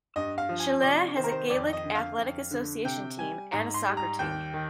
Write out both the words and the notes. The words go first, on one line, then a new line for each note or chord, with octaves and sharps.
Shillelagh has a Gaelic Athletic Association team and a soccer team.
G2 D#5
F5
F3
G#5
C3 D5
D#3 C5
A#4
C5
F2 D5
D#5
D3
F5
F2
D3
C3 G5
G3 G#5
G#2 A#5
C6
G3
A#5
D#2 G5
D#3